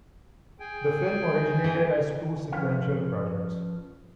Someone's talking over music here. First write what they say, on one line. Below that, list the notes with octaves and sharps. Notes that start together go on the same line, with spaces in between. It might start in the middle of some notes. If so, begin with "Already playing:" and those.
The film originated as two sequential projects.
G#4 G5 G#5
E3
F3 C#4 B4 C#5 F5